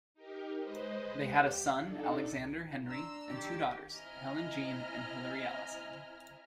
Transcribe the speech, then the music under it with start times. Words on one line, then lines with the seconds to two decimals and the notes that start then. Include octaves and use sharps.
They had a son, Alexander Henry, and two daughters, Helen Jean and Hilary Alison.
0.14 D#4 G4 A#4
0.59 G#3 B4 C5 D#5
1.19 G4
1.80 D4 D#4 A4
2.56 A#1 E4
2.85 D4 A#5 C6 E6
3.27 D#3 G4
3.93 C4 E4 D#5 G#5 A#5 F6